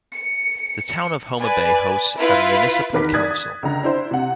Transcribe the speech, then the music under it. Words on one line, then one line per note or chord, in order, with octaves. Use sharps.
The town of Homa Bay hosts a Municipal Council.
C#7
B4 D5 G#5
E4 F4 B4
E2 D#3 A#4 B4 D6 B6
D5 D#6 F#6 G#6 A6
D#6
C#2 D3 A#5
D4 E4 C5
C3 F#5